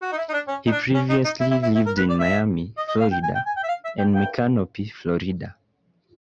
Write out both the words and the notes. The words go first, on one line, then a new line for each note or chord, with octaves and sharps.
He previously lived in Miami, Florida and Micanopy, Florida.
F#4
D#4
E4
D#4
D4
C#4
D#4
D4
C#4
D#4
D#4
E4
E4
E4
E4
A#4
B4
D5
E5
D#5
D#5
F5
G5
G#5
G5
G#5
G5
E5
F5
E5
G5
G5